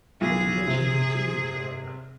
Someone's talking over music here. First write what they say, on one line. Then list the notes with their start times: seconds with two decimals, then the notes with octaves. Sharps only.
Litigation continued, however.
0.21 B1 G#4
0.67 C3